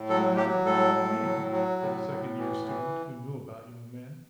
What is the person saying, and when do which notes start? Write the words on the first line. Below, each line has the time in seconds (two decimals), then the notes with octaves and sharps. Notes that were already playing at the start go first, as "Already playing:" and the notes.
"She went out with her young man," said a second-year's student, who knew about young men.
Already playing: A2
0.09 F#3 A4
0.37 F#3 G4
0.66 A2 A4
0.94 A2
1.23 F#3
1.51 F#3
1.81 A2
2.08 A2
2.38 E3
2.67 E3